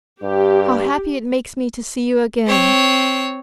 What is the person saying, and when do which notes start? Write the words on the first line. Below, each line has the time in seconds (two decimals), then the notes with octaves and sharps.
How happy it makes me to see you again!
0.22 G2 G4
2.47 C4 C#5